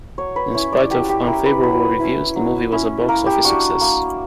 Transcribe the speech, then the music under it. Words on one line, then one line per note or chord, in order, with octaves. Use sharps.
In spite of unfavorable reviews, the movie was a box office success.
F#3 C#5
B4
C#4 E4 C#5
D5
F#3 G4
G4
C#4 E4 A#4
B4
F#3 B4
C#4 E4
F#3
C#4 E4
A#3 A#4
G4
D4 F#4
A#3